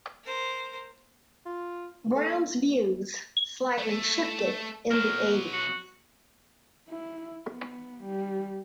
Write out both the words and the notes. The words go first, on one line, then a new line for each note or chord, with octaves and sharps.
Brown's views slightly shifted in the eighties.
A#4 C5
F4
A3
A3
B2 F#3 A#4
F#4
E4
B3
G3